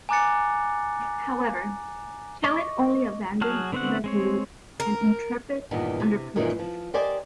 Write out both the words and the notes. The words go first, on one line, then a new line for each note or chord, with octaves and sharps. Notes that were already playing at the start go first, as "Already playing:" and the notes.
However, Kellett only abandoned "Resolute" and "Intrepid" under protest.
G#5 A#5 D6 F#6 A6 C#7
D#5 C#6 D6
F#3 F#4 G#4 A5 F6
D3 B3 C4 F#4 F#5
G#3 C4 C#5
A#4
E2 G2 A#2 D#3 B3
C3
F#2 A#2 D#3 E3 G#3 D#4
F3
G4 A#4 C5 D5 D#5 G#5